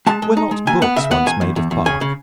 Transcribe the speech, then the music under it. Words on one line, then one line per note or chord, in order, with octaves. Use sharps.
Were not books once made of Bark?
G#3 A5
G#3
D#4
G#3
D#2 G#5
B3 F#5
C#3 E5
B3 F#5
E2 G#5
E2
E2
E2
C#3 G#5
C#3